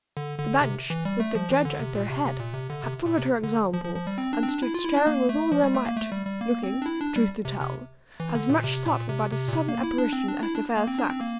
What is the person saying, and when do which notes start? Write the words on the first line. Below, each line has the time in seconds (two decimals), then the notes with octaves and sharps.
The bench, with the judge at their head, had followed her example, and stood staring with all their might, looking, truth to tell, as much startled by the sudden apparition as the fair sex.
0.17 D3
0.38 D3
0.61 C3
0.90 E3
1.05 G3
1.20 A3
1.35 F3
1.50 E3
1.65 D3
1.80 C3
1.95 A#2
2.10 C3
2.25 C3
2.39 A#2
2.54 C3
2.70 D3
2.84 C3
3.06 A#2
3.18 C3
3.43 D3
3.73 F3
3.84 F3
3.96 F3
4.07 G3
4.18 C4
4.33 D4
4.43 C4
4.48 D4
4.62 E4
4.74 F4
4.85 E4
4.96 D4
5.07 A#3
5.29 A3
5.52 F3
5.63 G3
5.75 A3
5.85 A#3
5.97 A3
6.12 G3
6.27 G3
6.41 A#3
6.63 C4
6.82 D4
6.86 E4
7.00 D4
7.16 G3
7.45 C3
7.61 C3
8.20 E3
8.35 D3
8.49 A#2
8.64 C3
8.87 A#2
9.09 C3
9.32 C3
9.48 A#2
9.53 C3
9.68 A#3
9.83 E4
9.98 D4
10.13 C4
10.28 D4
10.43 E4
10.54 D4
10.77 A#3
10.87 C4
10.99 D4
11.10 C4
11.21 A#3